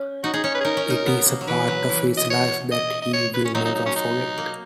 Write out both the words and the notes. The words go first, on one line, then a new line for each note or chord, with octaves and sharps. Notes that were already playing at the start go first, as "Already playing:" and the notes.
It is a part of his life that he will never forget.
Already playing: C#4
D#4 F#4
D#4 G#4
C#4 C#5
B4
G#4
D#4 A#4
C#4
D#4
B3
A#3
F#3
E3 B4
F#3
E3
D#5
C#5
D#5
D#5
C#5
B4
C#4
F#3 D#4
D#4
D#4
C#4
D#4
A#3